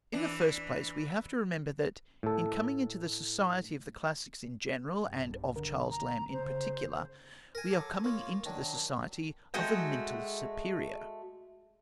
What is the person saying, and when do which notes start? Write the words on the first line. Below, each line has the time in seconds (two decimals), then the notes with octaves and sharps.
In the first place, we have to remember that, in coming into the society of the classics in general and of Charles Lamb in particular, we are coming into the society of a mental superior.
0.13 E3 D4
2.23 A2 A4
5.03 B1 G2
5.56 D3 A#4
5.90 A#5
6.33 C#3 C5
7.55 A#4 G#5
7.70 F#3 A4 D6
8.04 A#3 F4 C#5
8.46 D#3 F#3 D4
9.54 G#3 A3 F#4 G5